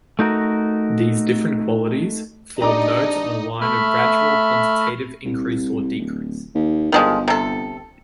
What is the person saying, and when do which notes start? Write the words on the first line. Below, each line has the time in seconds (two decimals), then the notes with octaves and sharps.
These different Qualities form "Nodes" on a line of gradual Quantitative increase or decrease.
0.19 A3 D#4 F#4 A#4
2.60 D4 D#4 G4 D5 D#5 A#5 D6
3.61 A3 E5 B5 F6
5.25 C2
5.99 D1
6.55 D#2
6.92 G1 D#3 F3 G#3
7.28 C3 A4